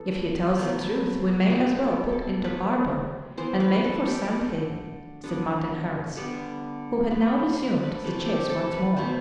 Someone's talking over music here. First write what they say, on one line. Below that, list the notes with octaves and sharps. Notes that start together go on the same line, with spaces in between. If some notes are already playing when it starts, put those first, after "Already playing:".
"If he tells the truth we may as well put into harbor and make for Sand Haven," said Martin Harris, who had now resumed the chase once more.
Already playing: E3 G3 B3 A4
B2 F#3 A3
B2 A3 F#4
A4
G4
A4
C3 F#3 A3 B4
E3 B3 C5
B4
A4
G4
G4
D3 A3 F#4
D3 G3 B3 D4
D3 G3 B3
D3 F#3 B3 B4
C5
B4
A4
B4
C3 E3 A3 A4
G4
A4
B4
B2 F#3 A3 C5